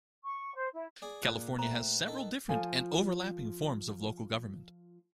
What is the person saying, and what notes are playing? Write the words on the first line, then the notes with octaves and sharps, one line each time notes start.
California has several different and overlapping forms of local government.
C#6
C5
E4
G#4 D5
A#2 A#3 F#6
A3 C4 A#5
D#3 A4
F3 F4 A4 G#5